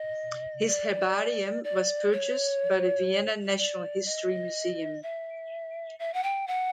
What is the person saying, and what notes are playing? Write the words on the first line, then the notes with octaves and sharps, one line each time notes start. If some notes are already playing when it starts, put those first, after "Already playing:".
His herbarium was purchased by the Vienna National History Museum.
Already playing: D#5
D5
D5
C#5
D5
D#5
E5
E5
F#5
G5
F#5